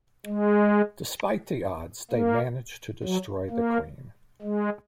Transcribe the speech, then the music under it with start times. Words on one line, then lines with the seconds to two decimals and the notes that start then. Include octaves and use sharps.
Despite the odds, they manage to destroy the Queen.
0.26 G#3
2.11 A#3
3.04 F#3
3.50 A#3
4.42 G#3